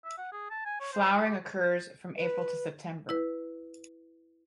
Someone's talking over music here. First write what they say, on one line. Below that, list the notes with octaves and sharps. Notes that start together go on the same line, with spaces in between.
Flowering occurs from April to September.
E5
F#5
G#4
A5
G#5
C#5
C5
E4
G4
B4
E4 B4